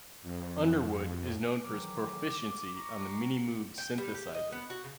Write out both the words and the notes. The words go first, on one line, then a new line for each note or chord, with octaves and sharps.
Underwood is known for his proficiency on the Minimoog synthesizer.
F2
D#3 E3 F#3 D6
A#5 C#6
G5
G3
G4
D#5
B3
F#4
C#3